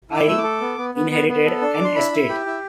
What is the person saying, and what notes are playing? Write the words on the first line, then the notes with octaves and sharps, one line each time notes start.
I inherited an estate.
E4
D6
A3 E6
D6
A4
B3
B3
B3
B3
B3
A4
D4
D6
D4
C6
E4 B5
E4
G4
E4